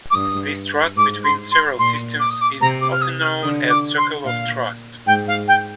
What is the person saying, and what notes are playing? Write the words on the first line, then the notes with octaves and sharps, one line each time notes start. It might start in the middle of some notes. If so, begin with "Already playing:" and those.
This trust between several systems is often known as "Circle of Trust".
D6
G2 D#6
G#2 D6
C6
C6
A#2 C6
D6
D#6
D6
C3 A#5
D6
F6
D#6
F6
D3 D#6
D6
C6
A#2 F5
G#2 G5
F5
G5